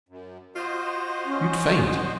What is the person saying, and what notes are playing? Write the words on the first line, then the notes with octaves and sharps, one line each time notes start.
You'd faint.
F#2
F4 F#4 C5 D#5
C#4